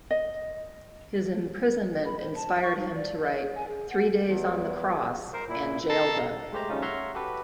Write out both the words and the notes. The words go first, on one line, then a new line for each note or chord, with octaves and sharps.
His imprisonment inspired him to write "Three Days on the Cross" and "Jailbug".
D#5
B5
C5
A5
C#6
D#4
D5
D#5
G#4
G#5
G#4
F#5
E2
A#4 C5
A#2 E4
A4 A#5 C6
G#3 A3 G4 C5 A#5
C#3 G3 A3 C#4 D#4 F4
C#5 E5 F#5 A#5 C6 F6
F#4 G4 A4 B4